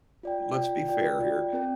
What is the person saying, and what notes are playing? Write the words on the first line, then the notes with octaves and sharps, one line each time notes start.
let's be fair here,
F4 D5 G5
F4 D5 G5
F4 D5 G5
F4 D5 G5
C4 A#4 G5